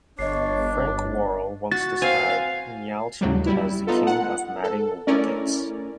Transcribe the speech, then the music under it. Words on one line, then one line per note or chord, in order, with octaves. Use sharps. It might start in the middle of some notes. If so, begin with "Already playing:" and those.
Frank Worrell once described Nyalchand as the 'king of matting wickets'.
G1 D4 C#5 D#5 C7
F#4 A6
C4 F5 G#5
D#2 A2 C#3 F#3 G3
G3 E4
B3 D#4 F4 A4
F#5
A4
A3 C#4 E4 A#4 D5